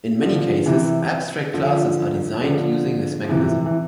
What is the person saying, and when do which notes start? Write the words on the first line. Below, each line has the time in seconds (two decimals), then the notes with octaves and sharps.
In many cases, abstract classes are designed using this mechanism.
0.22 D3 F3
0.66 C3 E3
1.54 D3 F3
2.41 D3 F3
3.24 F3
3.29 C3 E3
3.66 E3